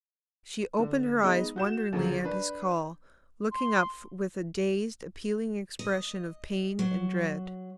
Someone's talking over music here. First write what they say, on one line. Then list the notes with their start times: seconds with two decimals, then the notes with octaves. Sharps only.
She opened her eyes wonderingly at his call, looking up with a dazed, appealing expression of pain and dread.
0.79 D3
1.21 G#3 B3 D#4 D#5
1.56 F#4 G6 E7
1.93 D2 C#3 F3 F#3
2.24 D4 B4
3.52 C6
5.79 D#5
6.79 F#3